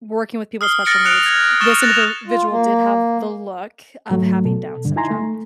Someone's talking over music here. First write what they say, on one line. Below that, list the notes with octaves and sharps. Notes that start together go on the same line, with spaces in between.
working with people with special needs, this individual did have the look of having Down syndrome
D#6 F6 C7 G7
F6 A6 A#6 C#7 D7 G7
F6 F#6 C#7 D7 F7
G#6
C#6 D#6 F6 A6 E7 G7
F#6 A6 A#6 F7
F4
A#3
G#2 F#3 A3
B2 A4
G2 D3
D#4 E4 G#5 A#5 C6
A3